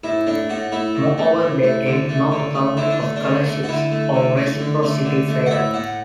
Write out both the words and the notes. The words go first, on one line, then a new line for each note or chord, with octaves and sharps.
Moreover, they take no account of color shifts or reciprocity failure.
A2 E4
A3 D4
A2 F#4
A3 E4
A2
A3
A2
A3
D3
A3
D3
A3
D3 E4
D4
A3
D4
D3
A3
F#4
D3 E4
A3
D3
A3
D3
A3
D3
A3
F#5
A2 E5
A2 F#5